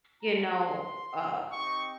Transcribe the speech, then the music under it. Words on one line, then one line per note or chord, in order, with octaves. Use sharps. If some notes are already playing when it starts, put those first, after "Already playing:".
you know, uh
A#3 C#4 F4 A#5
C6
C4 D#4 G4 C#6